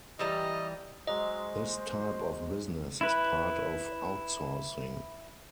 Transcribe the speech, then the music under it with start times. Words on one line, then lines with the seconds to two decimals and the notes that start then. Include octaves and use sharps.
This type of business is part of "outsourcing".
0.19 E3 G3 D#5 A#5
1.07 F#3 G#3 G#4 C5 D#5
3.01 E4 B4